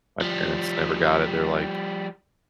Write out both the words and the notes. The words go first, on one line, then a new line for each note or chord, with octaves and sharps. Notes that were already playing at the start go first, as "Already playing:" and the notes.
my parents never got it, they're, like,
F3 G3